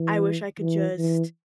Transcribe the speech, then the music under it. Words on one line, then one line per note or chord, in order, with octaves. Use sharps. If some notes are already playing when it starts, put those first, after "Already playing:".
I wish I could just,
Already playing: E3
E3
E3